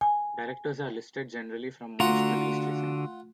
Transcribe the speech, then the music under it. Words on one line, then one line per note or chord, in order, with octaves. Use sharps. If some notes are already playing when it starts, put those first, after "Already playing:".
Directors are listed generally from most to least recent.
G#5
D3 A3 F4 F#4 F#5 A#5